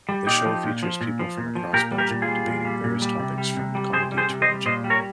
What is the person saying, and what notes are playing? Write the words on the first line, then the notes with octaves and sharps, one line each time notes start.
The show features people from across Belgium debating various topics from comedy to religion.
G3
A#2 D#4 G4
F3
A#2
F3
A#2
F3
A#2
F3
A#2 G4 A#4
G3
G4 A#4
A#2
F4 G#4
G3
A#2
G3
A#2
G3
C3
G3
C3
G3
C3 G#4 C5
G3
G#4 C5
C3
C5 D#5
G3
A#2 C5 D#5
G3
A#4 C#5